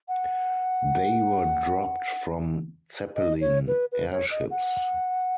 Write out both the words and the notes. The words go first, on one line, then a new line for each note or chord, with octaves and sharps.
They were dropped from Zeppelin airships.
F#5
D#5
C#5
B4
B4
C#5
D#5
F#5